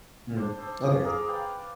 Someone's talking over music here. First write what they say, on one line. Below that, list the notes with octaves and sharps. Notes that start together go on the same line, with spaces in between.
Mm. Okay, I see
D4 C5
A4 C5 E6
F3
G#4 A#4 F5 D6
B4 D5 F5 G5